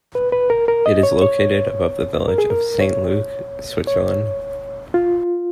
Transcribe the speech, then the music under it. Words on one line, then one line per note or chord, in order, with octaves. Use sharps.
It is located above the village of Saint-Luc, Switzerland.
B4
B4
A#4
A#4
D#5
C#5
C#5
A#4
G#4
A#4
C#5
C#5
F4